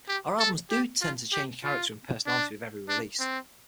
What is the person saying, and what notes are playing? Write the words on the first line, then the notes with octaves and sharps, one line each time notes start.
Our albums do tend to change character and personality with every release.
G4
A4
G4
F4
G4
F4
D4
D4
C4